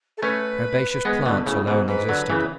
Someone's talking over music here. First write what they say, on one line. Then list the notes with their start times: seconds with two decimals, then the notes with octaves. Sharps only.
Herbaceous plants alone existed.
0.18 A4
0.22 A3 C#4 B4
1.05 G#3 B3
1.26 B2 D3
1.46 A2 C#3
1.67 G#2 B2
1.88 G#2 B4
2.09 D3 F#3
2.30 C#3 E3